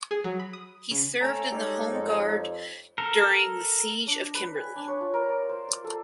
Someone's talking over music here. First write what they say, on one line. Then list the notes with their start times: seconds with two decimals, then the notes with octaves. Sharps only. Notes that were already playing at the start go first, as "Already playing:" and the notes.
He served in the Home Guard during the Siege of Kimberley.
0.11 G#4
0.24 F#3
0.40 B5
0.53 D#6
0.91 C#3
1.21 A3 C#4 A4 C5 G5 A#5 E6
1.52 G3 G#3 D#4 G4 A4 C#5
1.90 F2
2.98 A4 A#4
4.07 D4
4.22 D#5
4.35 B4
4.56 G#5
4.76 D4
4.88 C#5
5.01 F4
5.14 A#4
5.29 D5
5.49 C5
5.68 D5
5.84 A4